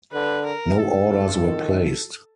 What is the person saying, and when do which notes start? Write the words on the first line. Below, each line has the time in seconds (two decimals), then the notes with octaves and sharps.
No orders were placed.
0.13 D3 B4
0.46 A#4
0.78 A4
1.43 D#3